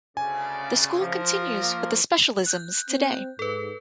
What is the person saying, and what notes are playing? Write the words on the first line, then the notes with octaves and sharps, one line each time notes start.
The school continues with the specialisms today.
D2 C#3 D5 G#5
F3 A#4
A#3
F#6 G6
C4
G#2 A4 B4